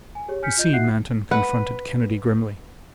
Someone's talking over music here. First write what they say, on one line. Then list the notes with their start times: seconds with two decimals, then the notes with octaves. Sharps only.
"You see!" Manton confronted Kennedy grimly.
0.15 G#5
0.28 G4 G#4 C#5
0.43 G#5 F6 G6 B6 C#7
0.57 F4 D#5 G6
0.73 D#4 F#4 E5 F#5 F#6 C7
1.31 B4 F#5